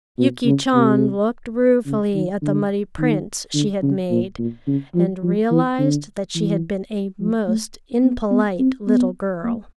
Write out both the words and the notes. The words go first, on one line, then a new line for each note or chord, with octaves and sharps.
Yuki Chan looked ruefully at the muddy prints she had made and realized that she had been a most impolite little girl.
B2
C#3
C3
C#3
D#3
D3
D#3
D3
C#3
A#2
A#2
C#3
F3
F3
E3
D3
E3
F3
A3
B3
B3
C4
B3
A#3